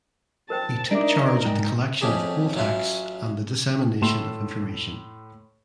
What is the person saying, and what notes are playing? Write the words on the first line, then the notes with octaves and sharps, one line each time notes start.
He took charge of the collection of poll tax and the dissemination of information.
A#4 C5 G5 A5
D4 D#4 A#4 D5 E5 D6
G#2 G5
F2 A2 C#4 G4 G#4 B4
A1 F#3 C#4 F4 E5
A2 A3 C6 E7